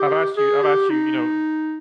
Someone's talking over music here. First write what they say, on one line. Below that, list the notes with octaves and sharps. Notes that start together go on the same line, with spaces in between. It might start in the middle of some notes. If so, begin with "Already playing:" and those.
"I've asked you I've asked you," you know,
Already playing: G4
G#4
G4
D#4